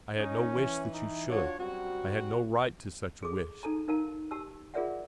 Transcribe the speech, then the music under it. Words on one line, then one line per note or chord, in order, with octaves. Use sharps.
I had no wish that you should; I had no right to such a wish.
C#4 D#4
E3
D#4
D4 F4 F#4 C#5
F#2 G3 C4 F#4
G#4 A4 D6
D#4 A4 A5 A#5
D#4 A#4 F5 A5 A#5
G4 A5 E6
F4 G#4 A#4 D5 E5 F#5